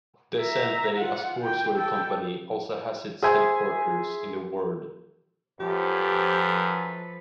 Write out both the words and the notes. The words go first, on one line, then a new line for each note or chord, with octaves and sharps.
Descente, a sportswear company, also has its headquarters in the ward.
E5 A#5
F4 F#5
G5
A4 G5
G#4 C5 E5 G#5
F#2 F3 G4 A4 B4